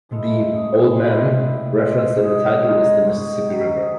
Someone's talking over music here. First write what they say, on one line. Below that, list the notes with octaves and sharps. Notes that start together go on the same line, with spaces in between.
The "Old Man" referenced in the title is the Mississippi River.
E3 G#3 A4
F#2 G#4
E3 G#3
A2
G#3
G#2 G#4
D#3 G#3 G#4
G#2 F#4
D#3 F#3
G#4